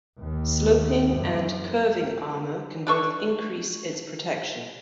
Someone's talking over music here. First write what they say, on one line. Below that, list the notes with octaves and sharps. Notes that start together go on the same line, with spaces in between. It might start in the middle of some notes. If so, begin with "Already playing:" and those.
Sloping and curving armour can both increase its protection.
D#2
F#2
D4 A4 C#6